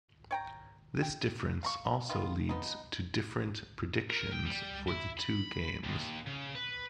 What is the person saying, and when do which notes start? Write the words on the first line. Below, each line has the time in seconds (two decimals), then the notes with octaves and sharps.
This difference also leads to different predictions for the two games.
0.31 C#5 G5 A#5
1.02 G5
1.63 F5 A#5 C#6
2.09 D#3 B3 F4
2.49 F3 B3 D#4
4.10 A#4
4.32 G5
4.46 G3
4.88 E4
5.18 B5
5.84 D#2
6.26 C#3
6.55 B4